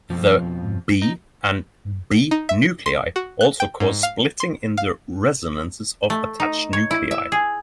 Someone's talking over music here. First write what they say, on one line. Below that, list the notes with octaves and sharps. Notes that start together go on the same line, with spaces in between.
The B and B nuclei also cause splitting in the resonances of attached nuclei.
F2 B2 F3
D#4
D#4
E5
C6
F#4
F#6
G5
G#2
F5
C6
F5
A3
D#4
C#5
E4
E5
G#4